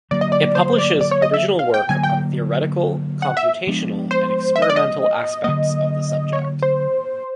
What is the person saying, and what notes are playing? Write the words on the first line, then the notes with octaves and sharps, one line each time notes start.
It publishes original work on theoretical, computational, and experimental aspects of the subject.
D3 F#3 A#3 D5
D#5
D5
C5
D5
D5
C#5
D#5
E5
F5
G5
D3 F#3 A#3 G#5
G5
F#5
E5
F3 G#3 B3 D4
C5
E5
D#5
D5
D#5
D3 F#3 A#3 D#5
C#5
C5